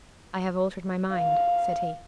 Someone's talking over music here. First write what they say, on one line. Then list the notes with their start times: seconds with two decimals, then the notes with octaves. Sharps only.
"I have altered my mind," said he.
1.14 F5